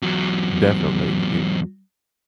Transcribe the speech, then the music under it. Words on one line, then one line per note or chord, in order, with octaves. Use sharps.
definitely, the
E2 F#3